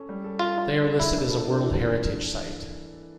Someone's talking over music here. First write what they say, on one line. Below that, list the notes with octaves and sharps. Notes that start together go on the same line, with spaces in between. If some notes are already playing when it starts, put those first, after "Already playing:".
They are listed as a World Heritage Site.
Already playing: C#4 A4
G3
A4
F4 A4
A4
F4
A4
D4 E4
A#3
A4
D4
E3